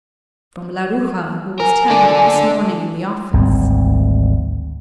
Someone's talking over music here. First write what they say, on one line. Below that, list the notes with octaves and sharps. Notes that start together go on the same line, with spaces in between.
"From Laruja, who was telling it this morning in the office."
A#4 G#5
D4 A4
G#1 D2 G3 C4